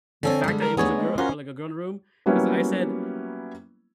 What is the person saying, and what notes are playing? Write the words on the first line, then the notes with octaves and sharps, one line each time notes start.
the fact that it was a gir or, like, a girl in the room. 'Cause I said,
D3 C4 A4 C#5 G#5
G3 G#3
A#4
D#2 A3 B3 D4 D#4 G#4 C#5
G#3
C#4 F4 F#4 A#4 C5
F#3 G3 A#3 B3 C#4 E4